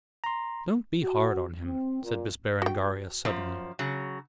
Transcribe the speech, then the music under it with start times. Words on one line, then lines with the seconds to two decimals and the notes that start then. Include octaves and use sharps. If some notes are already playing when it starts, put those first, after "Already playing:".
"Don't be hard on him," said Miss Berengaria, suddenly.
0.24 A#5 C6
1.03 F#4
1.64 C4
2.03 A#2
2.62 F#4 G5
3.25 F#2 F3
3.79 C#3 F#3